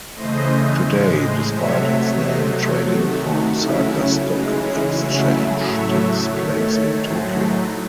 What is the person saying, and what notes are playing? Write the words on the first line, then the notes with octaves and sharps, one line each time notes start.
Today, despite its name, trading for Osaka Stock Exchange takes place in Tokyo.
C#3 E3 A3 C5 D#5
A2 G#3
C5 D#5
C3 F#3 A3 C#5 E5
C3 F#3 A3 C5 D#5
A4 C#5
C3 D#3 A3 F#4 A4
D#4 F#4
C#3 F#3 A3 C#4 E4
C#3 E3 G#3 D#4
C#4 E4
C#3 F#3 A3 C#4 E4
E4 G#4
A2 F#3 A3 C#5 E5
D#3 A3 A4 C#5
A4 C#5
A2 F#3 A3 G#4 C5
D#4